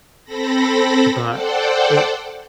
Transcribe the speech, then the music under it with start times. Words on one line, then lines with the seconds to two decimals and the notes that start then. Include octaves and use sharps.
But it
0.24 C4 A4 B5 A#6
1.29 A4 C5 D5 F#5 G5